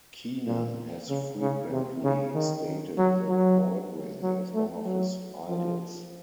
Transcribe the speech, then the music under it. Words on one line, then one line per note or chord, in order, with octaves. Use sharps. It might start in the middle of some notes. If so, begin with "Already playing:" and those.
Kenan has frequently stated that Baldwin is one of his idols.
A#2
C#3
C#3
C3
C#3
D#3
F#3
F#3
F#3
A3
F#3
F3